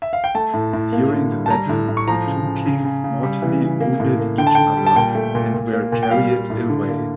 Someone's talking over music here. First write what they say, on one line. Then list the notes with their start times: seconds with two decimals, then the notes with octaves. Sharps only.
During the battle, the two kings mortally wounded each other, and were carried away.
0.02 E5
0.13 F5
0.24 G5
0.35 A3 A5
0.54 A2
0.73 A2
0.92 A#3
1.12 D3
1.31 G3
1.46 A5
1.50 G3 A#5
1.69 A2
1.89 A2
1.97 C#6
2.08 F3 A#5
2.27 C#3
2.47 C#3
2.66 C#3
2.85 C#3
3.04 C#3
3.23 G3
3.42 E3
3.62 C#3
3.80 A#3
4.00 A2
4.19 A#3
4.38 D3 G5
4.47 A5
4.55 D3 G5
4.77 G3
4.87 A5
4.96 A#2 G5
5.15 A3
5.35 A#2
5.54 A#2
5.73 A#3
5.92 A#2
6.03 G5
6.11 G3 F5
6.30 G3
6.50 A2
6.69 D3
6.89 A#3